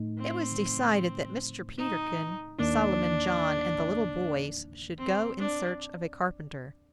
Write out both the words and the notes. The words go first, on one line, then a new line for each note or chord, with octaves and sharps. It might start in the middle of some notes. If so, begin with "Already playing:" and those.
It was decided that Mr. Peterkin, Solomon John, and the little boys should go in search of a carpenter.
Already playing: A2 A3 D#4
C4
D#4
D#2 D#3 A#3 D4 D#4
C4
D4